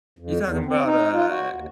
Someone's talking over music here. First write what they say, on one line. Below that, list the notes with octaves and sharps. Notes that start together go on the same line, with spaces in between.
You talking about, uh
F2
E2
C4
D#4
F4
F#4
D#2